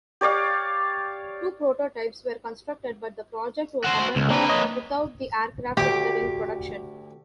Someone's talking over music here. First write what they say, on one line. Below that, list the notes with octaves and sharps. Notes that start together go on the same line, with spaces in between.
Two prototypes were constructed, but the project was abandoned without the aircraft entering production.
G4 C#5 D5 F5
F#4 C5
C#2
A#3 C4 D4 B4
C#5 D#5
D2 G4 D6